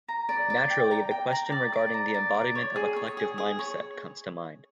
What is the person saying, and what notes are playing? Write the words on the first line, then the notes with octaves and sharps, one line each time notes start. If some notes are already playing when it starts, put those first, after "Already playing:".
Naturally, the question regarding the embodiment of a collective mindset comes to mind.
A#5
D5
D5
G5
A#5
G5
A#5
D5
D5
A#5
D5
D5
C#5
G#4
C#5
G#4
G#4
C#5